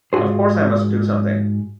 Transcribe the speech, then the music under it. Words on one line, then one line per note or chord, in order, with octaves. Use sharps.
Of course I must do something.
G#2 F4 F#4 G#4 C5